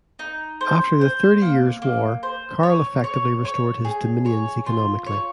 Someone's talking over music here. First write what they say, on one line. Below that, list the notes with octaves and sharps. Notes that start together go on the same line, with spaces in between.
After the Thirty Years' War Karl effectively restored his dominions economically.
D#4
C5
C5
A#3
A#3
C5
C#5
C#5
C#5
G#4
C#5
F4
C#5